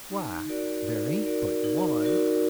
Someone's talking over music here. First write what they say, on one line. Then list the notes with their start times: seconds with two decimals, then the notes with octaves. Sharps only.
"Why, there ain't but one."
0.10 D#4
0.48 F#4 A#4 D5
0.87 D#4
1.26 F#4 A#4 D5
1.64 D#4
2.02 F#4 A#4 D5